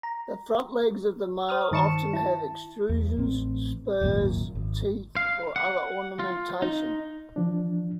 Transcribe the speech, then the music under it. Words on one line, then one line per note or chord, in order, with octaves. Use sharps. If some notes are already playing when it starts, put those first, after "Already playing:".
The front legs of the male often have extrusions, spurs, teeth, or other ornamentation.
A#5
C5 D#6 F6
G2 D#3 A5 C#6 C#7 E7
E4 A5
E2
A1 C4
D#1 G#1 F#2 A#2
G#1
F5
F#5
F4
D#4
E3 F3 D4